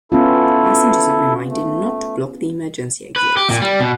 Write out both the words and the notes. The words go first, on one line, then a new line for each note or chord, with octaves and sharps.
Passengers are reminded not to block the emergency exits.
B3 C#4 E4 F4 A4
A3
B4
G4
A#2
G3
B2